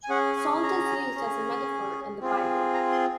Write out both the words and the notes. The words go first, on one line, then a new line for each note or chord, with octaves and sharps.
Salt is used as a metaphor in the Bible.
G#5
C#4 G#4 F#5
G#5
A#5
C#4 G#4
C4 F4 G#4
A#5
C6